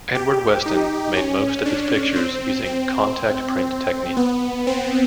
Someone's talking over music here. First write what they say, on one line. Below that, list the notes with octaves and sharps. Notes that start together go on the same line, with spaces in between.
Edward Weston made most of his pictures using contact print technique.
G4
D#4
C#4
D4
C4
C4
B3
C4